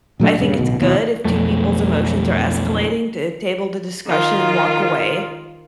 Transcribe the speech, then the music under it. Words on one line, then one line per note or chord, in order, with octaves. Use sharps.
I think it's good if two people's emotions are escalating to table the discussion and walk away,
A#2 F#3 A3 D4
D#1 G2 C#3
D1 B1 B2
D#2 B2 E3
B1 F2 A3
D#3 F4